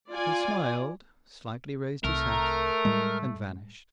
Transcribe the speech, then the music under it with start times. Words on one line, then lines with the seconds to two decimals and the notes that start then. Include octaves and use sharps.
He smiled, slightly raised his hat, and vanished.
0.11 F4 D5 G#5
2.04 C2 A3 A#4
2.85 A2 G3 G#3